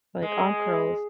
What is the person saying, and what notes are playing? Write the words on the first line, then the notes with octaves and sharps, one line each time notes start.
like arm curls,
G#3 G#4